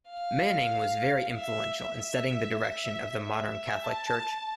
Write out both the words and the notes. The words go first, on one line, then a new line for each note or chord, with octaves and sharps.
Manning was very influential in setting the direction of the modern Catholic Church.
F5
E5
E5
E5
E5
A5